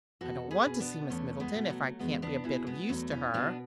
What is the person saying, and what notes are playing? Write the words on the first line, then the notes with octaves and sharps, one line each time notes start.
"I don't want to see Miss Middleton, if I can't be a bit of use to her."
E2 F#4 A4
G#4 B4
B2
B3 D4
E2 A3 C#4
G#3 B3
B2
F#3 A3
E2 G#3 B3
B3 D4
B2 E4 G#4
G#3 B3
E2 F#3 A3
C#4 E4
B2 B3 D4